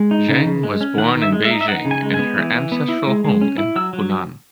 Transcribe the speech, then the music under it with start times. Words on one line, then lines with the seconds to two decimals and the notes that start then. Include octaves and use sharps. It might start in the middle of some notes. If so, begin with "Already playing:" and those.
Zhang was born in Beijing and her ancestral home in Hunan.
Already playing: G#3
0.11 D#4
0.29 C#3
0.45 C#3
0.63 G#3
0.81 C#4
0.98 D#3 F#5
1.15 D#3
1.22 E5
1.32 G#3
1.45 E5
1.51 D#4
1.61 E5
1.68 D#4 F#5
1.85 C#3
1.91 G#5
2.02 G#3
2.14 B3 G#5
2.37 E3
2.54 E3
2.72 B3
2.89 E4
3.07 G#3
3.24 G#3
3.41 C#4
3.58 E4
3.76 F#3 E6
3.93 F#3